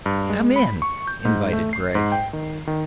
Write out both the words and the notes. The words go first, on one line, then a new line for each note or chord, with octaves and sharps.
"Come in," invited Gregg.
G2
G#3
B5
C#6
G6
G#2
A3
C7
G#2
G5
D#3
D#3